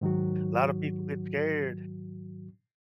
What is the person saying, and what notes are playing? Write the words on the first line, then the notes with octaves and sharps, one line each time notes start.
Lotta people get scared
G#2 D#3 F#3 F#4